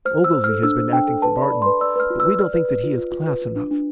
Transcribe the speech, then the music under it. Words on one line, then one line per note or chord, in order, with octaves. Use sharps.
Ogilvy has been acting for Barton, but we don't think that he is class enough.
C5 F6
C5 E6
C5
A4 F6
D4 E6
C5
D4 G5
A4
B4 A5
D5
B5
D5
B4 C6
D5 E6
B4 F6
F4
B4 E6
D5 F6
B4
B4
F4
F4
F4
B4
F4
D4
D4